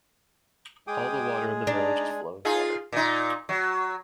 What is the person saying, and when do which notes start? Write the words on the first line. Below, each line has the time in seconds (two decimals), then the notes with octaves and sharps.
All the water in the village is flowing water.
0.87 G#3 G#4 G5 D6 D#6
1.67 D4 D#4 D5 A#5
2.45 D#4 F4 G#4
2.92 A#2 D#4
3.49 F#3